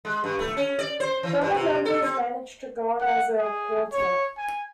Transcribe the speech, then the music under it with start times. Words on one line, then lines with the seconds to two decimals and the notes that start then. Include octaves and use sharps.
The other members managed to go on as a quartet.
0.05 G#3
0.24 G2
0.39 A3
0.57 C#4
0.79 D5
1.00 C5
1.23 E3
1.41 G2
1.54 C3
1.85 A4
2.02 C4
3.00 F#5
3.38 G#4
3.92 C#5
4.37 G#5